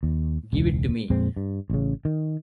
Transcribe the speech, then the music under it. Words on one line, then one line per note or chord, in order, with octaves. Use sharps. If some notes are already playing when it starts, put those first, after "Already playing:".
Give it to me!
D#2
E1 C#2
F2 A#2 G#3 C4
G2
A1 C#3
D#3